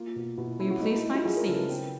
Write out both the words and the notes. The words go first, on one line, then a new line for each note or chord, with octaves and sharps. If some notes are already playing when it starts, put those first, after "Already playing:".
Will you please find seats?
Already playing: A#3 F4
B2
B2 E4
C#4 E4
F#4
A3 D#4
E4
A3 E4
F4
F#3 G#4
A#4
C#3 A4
B4
C4